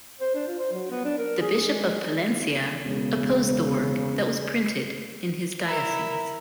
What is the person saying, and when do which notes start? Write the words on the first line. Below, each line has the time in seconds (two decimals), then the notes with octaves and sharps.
The Bishop of Palencia opposed the work that was printed in his diocese.
0.21 C5
0.35 D4
0.47 F4
0.59 C5
0.72 F#3
0.91 B3
1.05 D4
1.18 A#4
1.41 G#4
1.65 G#3
1.84 G#3
2.85 E1 C#3
5.64 E4 A#4